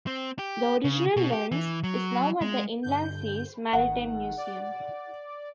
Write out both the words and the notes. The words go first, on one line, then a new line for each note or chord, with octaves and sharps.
The original lens is now at the Inland Seas Maritime Museum.
C4
G4
C#3
B2
G4
E3
F#3
G#3
G2 D3 G6
G#1 D#3 F#5
D5